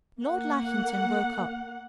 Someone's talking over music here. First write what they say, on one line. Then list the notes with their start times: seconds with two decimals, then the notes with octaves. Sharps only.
Lord Lackington woke up.
0.20 A#3 F#5